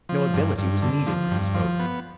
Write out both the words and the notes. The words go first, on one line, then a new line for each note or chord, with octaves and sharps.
No ability was needed for his vote.
F3
G2
G2
D3
F3
G2
F3
B3